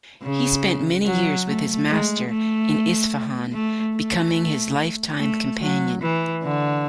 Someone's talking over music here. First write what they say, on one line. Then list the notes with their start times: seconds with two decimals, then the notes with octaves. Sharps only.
He spent many years with his master in Isfahan, becoming his lifetime companion.
0.23 C#3
1.06 F#3
1.47 A3
1.89 G#3
2.29 A3
3.53 A3
3.95 A3
5.19 A3
5.61 F#3
6.02 E3
6.43 D3